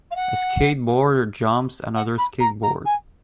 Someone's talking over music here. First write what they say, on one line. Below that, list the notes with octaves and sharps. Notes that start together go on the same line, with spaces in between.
A skateboarder jumps another skateboard.
F5
F#5
F#5
B5
A#5
A#5
G#5